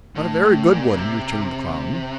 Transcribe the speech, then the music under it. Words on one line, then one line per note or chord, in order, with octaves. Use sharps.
"But a very good one," returned the Clown.
A2
A2
A#2
C3